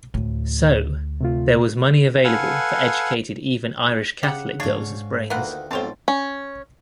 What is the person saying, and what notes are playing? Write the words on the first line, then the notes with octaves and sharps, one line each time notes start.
So, there was money available for educating even Irish Catholic girls' brains.
D2 A2
C3 A3 F4
A4 B4 F5 F#5 G#5
C#3 G4 F#5
G#2 D4 C#5 F5
D2 D#3 A#3 B3 F4 F#5
B1 F2 G#2 C4 F4 C5 C#5 A5
C#4